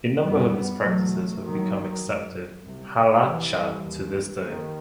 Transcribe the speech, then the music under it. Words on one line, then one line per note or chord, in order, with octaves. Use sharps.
A number of his practices have become accepted halacha to this day.
F#2 G3 B3
E2 B2 F#3 A3
D#2 D#3 F#3
F#2
C2 C3
D#2 E3 G3
D#2
D#2 D#3